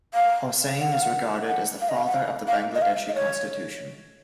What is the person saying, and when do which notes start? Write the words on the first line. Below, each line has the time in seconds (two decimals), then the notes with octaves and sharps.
Hossain is regarded as the father of the Bangladeshi constitution.
0.14 F5
0.81 F#5
0.92 F5
1.02 F#5
1.48 F#5
1.81 F5
1.89 D#5
1.97 F5
2.06 F#5
2.14 F5
2.47 F5
2.75 D#5
2.82 F5
3.08 D#5
3.15 C#5